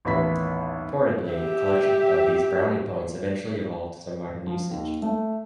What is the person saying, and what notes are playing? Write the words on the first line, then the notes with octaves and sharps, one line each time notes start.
Purportedly, the collection of these "brownie points" eventually evolved into the modern usage.
A1 D#2 B3 E5 B5 B6
G4 E5
F3
D#2
A3